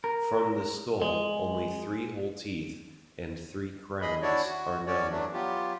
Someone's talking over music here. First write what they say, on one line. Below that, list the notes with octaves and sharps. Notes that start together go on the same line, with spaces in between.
From the skull, only three whole teeth and three crowns are known.
A#4
G#3
G#4 D#5 B5
D4 E4 F#4 C#5 D5
F#4
C#4 F#4 C#5 D5
E3 F#3 A3 D4
F#3 B3 F4 G4